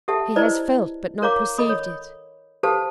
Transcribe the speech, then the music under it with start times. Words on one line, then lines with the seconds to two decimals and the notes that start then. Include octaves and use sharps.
He has felt but not perceived it.
0.08 G4 A4 E5 F#5 A5
0.36 E4 B4 C5 D5 D#5
1.22 A#4 C#5 F5 A#5 D6
1.58 A4 D#5 B5 D#6
1.69 C#5
2.63 G4 A4 B4 C5 F5 A5